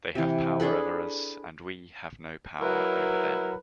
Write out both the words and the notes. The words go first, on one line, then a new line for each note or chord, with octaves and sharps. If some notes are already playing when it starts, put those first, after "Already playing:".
They have power over us, and we have no power over them.
C3 E3
D4 G#4 A4 B4
F#3 E4 A#4 B4